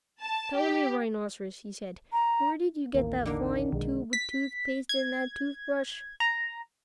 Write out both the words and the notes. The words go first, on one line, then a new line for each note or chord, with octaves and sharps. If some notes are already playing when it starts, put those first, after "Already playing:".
"Tell me, Rhinoceros," he said, "where did you get that fine tube of tooth paste and that toothbrush?"
A5
G4
A#5
A1 D#2 A#3
D3 D#3 A#3
B1 D#3 G#3
B6
G#6
A#5